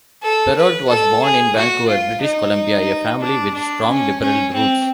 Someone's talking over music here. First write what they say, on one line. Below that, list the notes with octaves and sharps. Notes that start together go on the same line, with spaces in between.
Perrault was born in Vancouver, British Columbia a family with strong Liberal roots.
A4
B4
A4
G#4
F#4
F4
D#4
D4
D4
C#4
C#4
C4